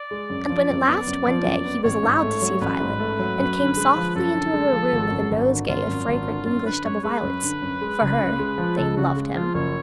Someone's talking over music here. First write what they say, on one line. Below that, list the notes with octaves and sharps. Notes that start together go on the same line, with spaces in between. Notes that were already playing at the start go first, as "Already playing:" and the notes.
And when at last, one day, he was allowed to see Violet, and came softly into her room with a nosegay of fragrant English double violets, for her, they loved him.
Already playing: D5
G#3
F#2
F3
F#2
B3
F#2
F3
F#2
B3
A1 C#5
G#2
A3
F#3
A1 B4
G#2
A3
F#3
F#2
D3
G#3
F3
F#2 A4
D3
G#3
F3
G#1
F#2
G#1
D3
G#1 F4
F#2
G#1
D3
F#2 F4
D3 B4
F#2 C#5
G#3 B4
F#2
D3
F#2
G#3
C#2
C#3
G#3
F3
C#2 A4
C#3 F#4
G#3
F3 F4
F#1 C#5